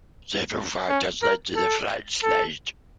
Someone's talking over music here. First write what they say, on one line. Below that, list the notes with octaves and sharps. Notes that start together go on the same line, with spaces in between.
Several factors led to the Frank Slide.
C#4
A#4
A4
A4